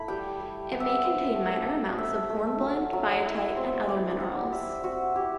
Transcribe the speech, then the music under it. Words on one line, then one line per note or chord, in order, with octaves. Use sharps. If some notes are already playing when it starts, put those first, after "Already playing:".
It may contain minor amounts of hornblende, biotite and other minerals.
Already playing: A3 E4 B5
G3 G5
G3
G3 F#5
E5
F#5
C4
A3
D4
A3 E5
A3
F#3
F#3
E4
C4
E4 D5
G3 F#5
G3 E5
C4 F#4
E4 G4